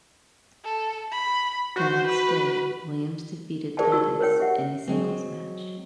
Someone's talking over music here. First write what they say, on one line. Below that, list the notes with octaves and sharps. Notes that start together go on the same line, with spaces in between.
The next day, Williams defeated Titus in a singles match.
A4
B5
F#4 C5
B4
G#4 A#4 C5 D5 G5 A5
D#4 F#4 C#6 E6
A#4 C5 C#5 G5
G4 E5 F#5
F#3 G#3 C4